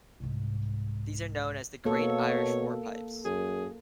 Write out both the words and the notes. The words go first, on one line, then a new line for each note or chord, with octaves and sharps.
These are known as the "Great Irish Warpipes".
C2 G#2
B2 A#3 A4 C#5
F#2 G#4